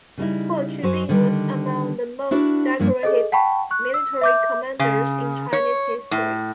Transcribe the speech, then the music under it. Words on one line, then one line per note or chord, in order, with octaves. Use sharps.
Huo Qubing was among the most decorated military commanders in Chinese history.
C#3 G3 D#4 E4
F#2 F#3 C5 G#5
D3 D#3 G3 D4
D4 E4 F#4 A#4 D5
G2 F3 A#3
G#4 A4 D#5
F#5 G5 A5 B5 C#6
C#6 F#6
E6
E5 D6 G6
C#3
C#5
A2